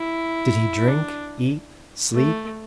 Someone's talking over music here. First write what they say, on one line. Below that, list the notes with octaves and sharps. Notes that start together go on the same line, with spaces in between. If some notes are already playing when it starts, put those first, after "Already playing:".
Did he drink, eat, sleep?
Already playing: E4
D4
A3